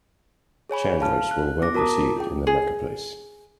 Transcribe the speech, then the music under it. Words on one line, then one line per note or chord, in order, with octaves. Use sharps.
Chandlers were well received in the marketplace.
G#4 C#5 G#5 B5
F5 A5 F6
F#6
B3 D6 A#6
F#4 A#4 A5 A#5 D6 D#6
F4 G#4 G5
G#4